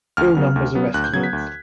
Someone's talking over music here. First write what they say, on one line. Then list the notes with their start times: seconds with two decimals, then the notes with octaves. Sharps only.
All numbers are estimates.
0.17 D2 F6
0.37 C#3 F#3 B3
0.56 D2
0.75 C#3 F#3 B3
0.94 D2 F#6
1.04 G6
1.13 C#3 F#3 B3 G#6
1.24 B6
1.33 D2